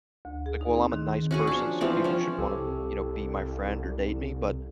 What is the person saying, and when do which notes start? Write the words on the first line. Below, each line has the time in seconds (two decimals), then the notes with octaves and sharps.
Like, "Well, I'm a nice person, so people should wanna," you know, "be my friend or date me," but
0.25 D2
0.46 G#4
0.61 D#4
0.75 C4
0.92 D#3
1.31 C#4 F#4 G#4
1.47 F3 D4
1.81 E3 F3 C4 D5
2.04 F3 C#4
2.38 C2 G4 A4